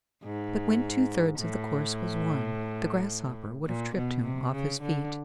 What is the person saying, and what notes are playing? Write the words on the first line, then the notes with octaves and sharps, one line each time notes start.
But when two thirds of the course was won, the grasshopper would have tripped him off his feet.
G#2
A2
A#2
B2
C3
C#3
D3